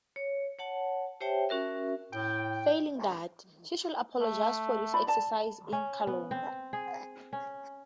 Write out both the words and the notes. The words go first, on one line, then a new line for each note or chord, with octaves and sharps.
Failing that, she should apologize for this exercise in calumny.
C#5
C#5 F#5 A5
G4 C5 C#5 E5 G5 A5
C#4 F#4 A#4 E5
A2 G5
A3
F4 D5 B5
D5 A5
C#4
B3
C4
G#4
C#4